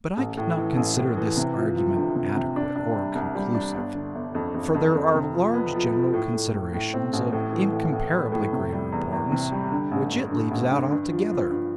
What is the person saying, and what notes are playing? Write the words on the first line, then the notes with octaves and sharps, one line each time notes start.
But I could not consider this argument adequate or conclusive, for there are large general considerations of incomparably greater importance which it leaves out altogether.
A1
A2
E3
A1
A2
E3
C3
F3
F3
D2
C3
C3
D4
D4
G3
C2
G3
D4
G1
D3
G1
F2
F2
F2
F2
C3
F3
B3
F3
F3
A2
A2
A2
A2
C4
A1
A2
E3
A2
A2
B3
A2
C3
G3
E2
E2
C3
G3
D3
A1
G2
D3
A1
D3
G2
F3
F3
G2